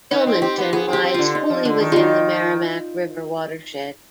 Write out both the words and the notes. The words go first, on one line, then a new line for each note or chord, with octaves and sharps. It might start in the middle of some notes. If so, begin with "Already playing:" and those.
Gilmanton lies fully within the Merrimack River watershed.
B3 D#4
C4
C4 G4
B3
B3 G#4
C4
G4
C4
D3 F4
D#4
F3
D3 D4
D#3
D#3 D#4 F4